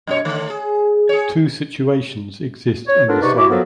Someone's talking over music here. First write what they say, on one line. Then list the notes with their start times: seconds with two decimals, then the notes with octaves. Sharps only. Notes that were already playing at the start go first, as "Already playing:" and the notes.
Two situations exist in the song.
0.07 F#2 B2 C#5
0.25 D3 A3
0.50 G#4
1.09 G#4 C#5
2.86 C#5
3.07 B3 D4 F4 A4 A#4
3.21 G#2 C3 D#4 B4 D5 C#6
3.36 E4 F#4 D6
3.48 F3 F#3 B3 F#4 A4 A#4